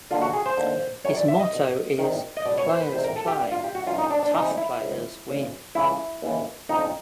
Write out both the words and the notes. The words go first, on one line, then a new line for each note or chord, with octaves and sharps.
His motto is "Players Play - Tough Players Win".
D#2 D3 F4
F#4
G#4
C5
D#2 D3
F#2 C#5
D#3
D5
E5
D#5
C2 B2
E2 C3 D#3
D#5
C#2 B2 D5
C#5
C5
B4
E2 C3 D#3 C5
A#4
A4
G4
G2 D#3
F4
G4
F#4
F#2 D#3 F4
D#4
D4
D4
F2 C3 E3 D#4
E4
C#2 C3 D#3
D2 C#3 E3
C#2 C#3 E3 E4
D#2 C#3 E3
F2 D3 D#4